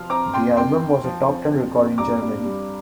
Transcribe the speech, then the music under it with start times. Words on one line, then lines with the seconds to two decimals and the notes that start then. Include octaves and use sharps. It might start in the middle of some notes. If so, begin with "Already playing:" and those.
The album was a Top Ten record in Germany.
Already playing: F2 C3 F3 C6 F6
0.10 C4 A#5 D6
0.33 F2 G5 C6
0.57 F2 G5 C6
0.81 F2
1.04 F3
1.28 C4
1.51 F2
1.75 F2
1.98 G2 A#5 D6
2.21 G2
2.45 G3